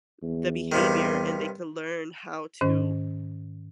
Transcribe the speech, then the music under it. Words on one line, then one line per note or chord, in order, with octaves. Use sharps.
the behavior and they can learn how to
E2
G2 C3 D#3
G#2 D#3 C#4 C5